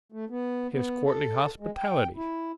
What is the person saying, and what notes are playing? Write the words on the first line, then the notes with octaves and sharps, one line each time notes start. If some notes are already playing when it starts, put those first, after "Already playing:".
His courtly hospitality?
A3
B3
B3
A4
G#3
G5
E4